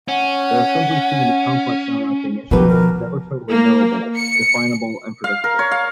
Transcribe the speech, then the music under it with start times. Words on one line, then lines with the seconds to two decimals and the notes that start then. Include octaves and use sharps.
There are simply too many complex interacting issues, never totally knowable, definable and predictable.
0.08 C#4 F#5
2.51 B2 D#3 F3 G4 B4
2.68 A#4
3.51 A#3
4.17 C#7
5.24 F5
5.44 A#4
5.59 C#5
5.71 F5